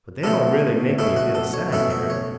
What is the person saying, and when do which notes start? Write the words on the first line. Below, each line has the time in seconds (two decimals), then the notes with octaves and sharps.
But they don't really make me feel sad, Harry.
0.24 B2 A3 C#4 E4 A4
0.98 B2 A3 C#4 E4 A4
1.17 F#4
1.35 A4
1.53 C#5
1.72 B2 A3 C#4 E4 E5
1.90 E5
2.10 C#5